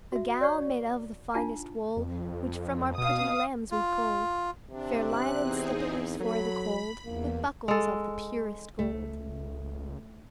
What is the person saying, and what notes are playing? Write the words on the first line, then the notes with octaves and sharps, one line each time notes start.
A gown made of the finest wool, Which from our pretty lambs we pull, Fair-lined slippers for the cold, With buckles of the purest gold.
F#4 E5
C#5 D5 F#5 C#6
D4 D#4 F4 F#5 A5
F2
B2 F5 D#6
F4
C3 D4
G1 F#6
E2 C4 D#4 G#4
F#3 A4 B5
A#1 E2 A#3
G#3 A4
C#2 A3